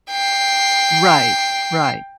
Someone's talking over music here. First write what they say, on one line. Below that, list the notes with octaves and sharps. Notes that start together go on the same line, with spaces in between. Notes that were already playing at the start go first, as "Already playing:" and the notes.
Right. Right.
G5 C7